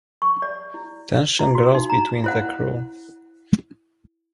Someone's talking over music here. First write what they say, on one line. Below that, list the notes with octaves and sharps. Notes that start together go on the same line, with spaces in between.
Tension grows between the crew.
C#6
D5
E4
E4
F#4
D#4
A#5
E4 C5 F#5